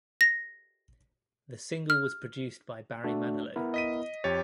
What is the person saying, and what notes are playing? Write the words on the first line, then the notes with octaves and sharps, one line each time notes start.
The single was produced by Barry Manilow.
A#6
F6
A3 D4 F#4
B3 E4 A#4
D#5 B6 D#7
F2 G4 C#5 A6